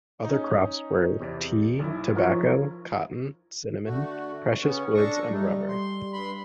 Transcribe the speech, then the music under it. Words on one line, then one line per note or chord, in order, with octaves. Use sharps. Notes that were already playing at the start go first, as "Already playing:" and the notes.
Other crops were tea, tobacco, cotton, cinnamon, precious woods and rubber.
C#4 D#4
E2 C3 D5
B1 E4
F3 F4 A#4 C#5
D3 A3 F#4
C#3 B3 C#4 C#6
D4 A4 C#6 A#6
G3 A3 D#4
C6
G2 B5 C6